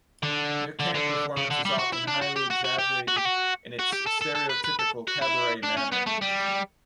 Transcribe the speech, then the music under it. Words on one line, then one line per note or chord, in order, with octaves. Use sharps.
Their camp performance was often highly exaggerated in its stereotypical cabaret manner.
D3
D3
D3
C#3
D3
G3
F#4
E4
D4
F#4
G4
F#4
F#4
G4
F#4
G4
F#4
F#4
G4
A4
A4
A4
B4
B4
A4
F#4
E4
D4
C#4
B3
A3
G3